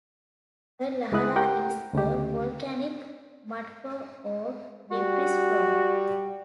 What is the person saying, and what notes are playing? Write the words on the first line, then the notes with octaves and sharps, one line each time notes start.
A lahar is a volcanic mudflow or debris flow.
C#2 G#3 E4 D#6 F#6
G4 A#4 F#5 G5
D2 C#3 A3 G4
G3 F#4